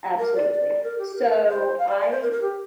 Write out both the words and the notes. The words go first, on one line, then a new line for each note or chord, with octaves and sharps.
Absolutely. So, I
A#4
D5
D5
A#4
G4
A#4
C5
F5
D5
D5
C5
A#4
A#4
G4